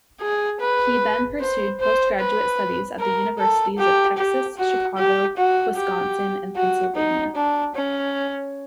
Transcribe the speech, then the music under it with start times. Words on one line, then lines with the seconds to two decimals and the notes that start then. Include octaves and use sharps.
He then pursued postgraduate studies at the universities of Texas, Chicago, Wisconsin, and Pennsylvania.
0.21 G#4
0.61 B4
1.40 C5
1.80 C5
2.20 B4
2.99 A#4
3.38 A4
3.78 G4
4.18 G4
4.58 F#4
4.97 G4
5.37 F#4
5.77 G4
6.56 F#4
6.95 D#4
7.36 D4
7.75 C#4